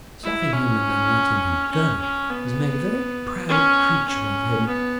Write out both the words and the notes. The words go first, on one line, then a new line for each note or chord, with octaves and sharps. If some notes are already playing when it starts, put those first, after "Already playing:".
Stuffing him and then letting him go has made a very proud creature of him.
E4
C#4
C#4
C#4
B3
C#4
C#4
B3